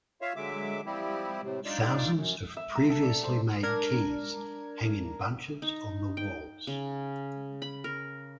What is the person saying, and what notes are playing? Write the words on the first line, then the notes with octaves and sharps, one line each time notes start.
Thousands of previously made keys hang in bunches on the walls.
F4 C#5 E5 F5
D3 F#3 G#3 E5 D6
F3 G3 C4 E4 G4
A2 C3
D4 D#4 F4 D5
F#2
E5
A#5
A4
D5
C5
D4 A#4 G#6
D#4
G5
C#3
B5
A#4